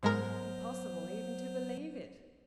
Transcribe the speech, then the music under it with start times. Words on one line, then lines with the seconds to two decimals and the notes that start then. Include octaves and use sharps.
Impossible even to believe it!
0.03 G#2 F#3 G#3 B3 A#4 C5